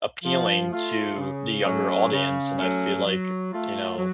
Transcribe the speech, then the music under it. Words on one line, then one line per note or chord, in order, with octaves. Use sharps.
appealing to the younger audience, and I feel like, you know,
F3
A3 F4
C#3
F#3 A3 C#4
C#3
F#3 A3 C#4
F#3
A3 F4
F#3